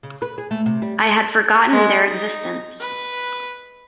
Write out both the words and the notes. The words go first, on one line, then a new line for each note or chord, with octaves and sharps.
I had forgotten their existence.
C#3
B4
G#4
A3
C3
G3
G#3
D#4
B4